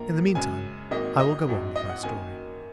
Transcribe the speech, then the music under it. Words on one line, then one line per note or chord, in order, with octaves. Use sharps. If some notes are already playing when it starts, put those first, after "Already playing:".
In the meantime, I will go on with my story.
Already playing: A#1 A#2 A#3 A#5
F#2 C#3 G#3 G#5
G#1 G#2 D#3 F#3 A#3 D#5
D#5
A#1 G#2 F#3
D#5
F#5
F#2 D#3 F#3 A#3 G#5